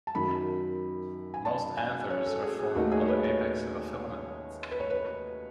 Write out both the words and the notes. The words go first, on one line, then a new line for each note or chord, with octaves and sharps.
Most anthers are formed on the apex of a filament.
A5
F#2 D#3 F#3 B5
G#5
A5
G#5
C#5
A4
G#4
G#4
D#2 D#3 A3 D#4 F#4
G#4
C#5
B4
C#5
B4
C#5
B4